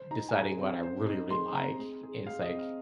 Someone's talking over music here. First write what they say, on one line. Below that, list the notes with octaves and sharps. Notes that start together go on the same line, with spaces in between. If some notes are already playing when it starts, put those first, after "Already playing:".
deciding what I really, really like and it's like,
Already playing: C5
D#4 A#5
G#5
G#3 A#5
C4
C5
D#4
G#3 C6
C4 A#5
G#3
G#4
G#3 F5
D#5
C4
F5